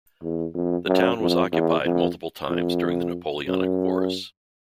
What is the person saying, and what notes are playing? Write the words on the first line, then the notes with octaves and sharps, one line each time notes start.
The town was occupied multiple times during the Napoleonic Wars.
E2
F2
F#2
F2
E2
F2
F2
F#2